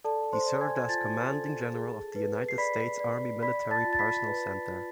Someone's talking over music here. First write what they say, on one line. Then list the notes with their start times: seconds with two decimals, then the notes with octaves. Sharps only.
He served as Commanding General of the United States Army Military Personnel Center.
0.04 A4 D5 A5
0.33 C5 C6
0.46 D5
0.61 G#5 G#6
0.77 G#6
0.89 F4 A5 A6
1.31 A4
1.74 G#4
2.16 B4
2.48 C7
2.58 D5 B5 B6
3.00 D5
3.42 D5 B5 B6
3.71 A5 A6
3.85 F4
3.93 A6
3.99 B5 B6
4.27 B4
4.69 F4